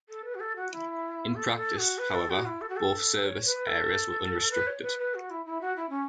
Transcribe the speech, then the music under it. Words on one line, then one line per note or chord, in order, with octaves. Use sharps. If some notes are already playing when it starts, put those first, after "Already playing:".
In practice, however, both service areas were unrestricted.
A4
B4
F#4
A4
F#4
E4
A4
A4
F#4
B4
A4
F#4
E4
A4
F#4
A4
C#5
B4
A4
B4
C#5
B4
B4
F#4
E4
E4
F#4
E4
C#4